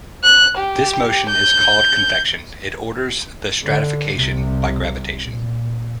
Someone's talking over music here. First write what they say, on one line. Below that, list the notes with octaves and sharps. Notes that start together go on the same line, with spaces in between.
This motion is called convection, it orders the stratification by gravitation.
F#6
G4
G6
D3
C2 C3
A#2